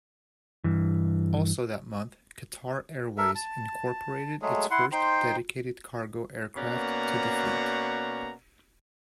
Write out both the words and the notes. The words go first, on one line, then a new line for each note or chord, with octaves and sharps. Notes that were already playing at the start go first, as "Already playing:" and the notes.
Also that month, Qatar Airways incorporated its first dedicated cargo aircraft to the fleet.
G2 E3
A4 A#4 E5
A5
F#3 G#3 A3 G#4
E4 F#5 C6
D#4 C5 G5 C6
B2 A#3 C#4 D5 F#5 A#5